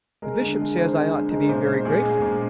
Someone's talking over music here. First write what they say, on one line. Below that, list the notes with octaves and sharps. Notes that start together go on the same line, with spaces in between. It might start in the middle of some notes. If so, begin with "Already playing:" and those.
The Bishop says I ought to be very grateful.
G#3 A#4
D3
G#3
D3 C5
G#3
D3
G#3 A#4
A#2 C5
G#3 C5
A#2 G#4
G#3
A#2